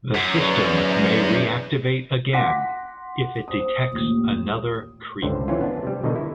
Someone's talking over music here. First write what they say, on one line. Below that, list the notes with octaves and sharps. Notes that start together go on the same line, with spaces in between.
The system may reactivate again if it detects another creep.
F#2
G#4 B4 D5
F#5 C6 D6 A#6 B6
C5 D#6
A1 D#2 A#2
C#2 G2 D3 C5
E3 C4 C#4 E4 F4
B3 D4
C3 G3
B2 D3 D#3 D#4
E4